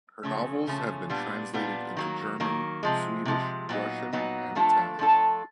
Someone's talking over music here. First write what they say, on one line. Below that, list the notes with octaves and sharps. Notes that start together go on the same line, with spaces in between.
Her novels have been translated into German, Swedish, Russian and Italian.
C#3 F3 A3 C#4
C#3 F3 A3 C#4
A#2 G3 B3 D4 F4
A#2 G3 B3 D4 F4
D#3 F#3 A#3
D#3 F#3 A#3
C3 F3 G#3
C3 F3 G#3
A#2 F#3 B3 D#4
A#2 F#3 B3 D#4
F3 A3 D4 F4 A4
F3 A3 D4 F4 A4